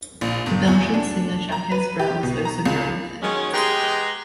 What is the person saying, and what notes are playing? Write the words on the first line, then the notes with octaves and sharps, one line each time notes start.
The Belgian singer Jacques Brel is also buried there.
A#1
G1
E2
D4
A#5
B4
G4
B2
A#5
C#2
D#3 F#3 G#3 C#4
G#3 B3 G4 A#5 C6